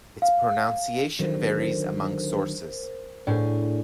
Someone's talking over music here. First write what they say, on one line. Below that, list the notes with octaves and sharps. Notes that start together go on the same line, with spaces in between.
Its pronunciation varies among sources.
F5
D3 D#3 F#3 A#4 C5
A2 D4 G#4